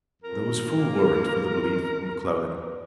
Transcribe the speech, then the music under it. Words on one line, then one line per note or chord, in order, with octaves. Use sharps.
There was full warrant for the belief of McClellan.
F2 A#4
D#3
F2
A#3
F2
A#3
F2
D#3